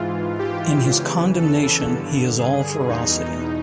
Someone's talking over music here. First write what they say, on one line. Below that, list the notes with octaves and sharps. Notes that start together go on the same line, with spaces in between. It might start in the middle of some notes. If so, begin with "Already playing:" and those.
In his condemnation he is all ferocity.
Already playing: G#2 E3 F4
G4
E2 C#3 E3
A4
G2 D3
G#4
E2 B2 D#4